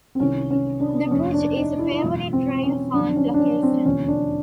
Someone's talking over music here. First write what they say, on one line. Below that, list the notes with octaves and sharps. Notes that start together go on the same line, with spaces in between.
The bridge is a favorite railfan location.
C4
C2 C3 D#3 C#4
C#4
D4
F1 D#2 D#3 C#4
D4
D#4
E4
E4
F#1 E2 B2 G#3 F4
C4
C#4
F2 D3 F#3 D4
C#4
D4
C#4
C4
E1 D#2 D3 F3 C#4
D4